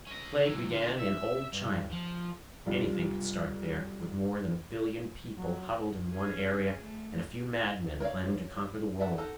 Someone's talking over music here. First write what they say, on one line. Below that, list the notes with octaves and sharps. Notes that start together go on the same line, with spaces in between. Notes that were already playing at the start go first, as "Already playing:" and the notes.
The plague began in old China; anything could start there, with more than a billion people huddled in one area and a few madmen planning to conquer the world.
C#4 D#5
F#3 E4
D3 F4
E5
G2
F3
B1 G2 C3 F4 D5
F#3
C#4 G#4
A3
A#4 C#5 D5 F5
D5 E5 F#5
D#4 A4 A#4 F#5